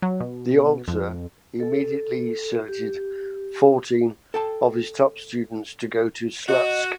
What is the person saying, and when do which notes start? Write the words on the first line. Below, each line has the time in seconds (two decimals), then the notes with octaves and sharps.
The Alter immediately selected fourteen of his top students to go to Slutsk.
0.02 F#3
0.20 B2
0.88 F2
1.60 A4
2.68 G4
4.34 A4 G5 A5
6.48 F#4 D#5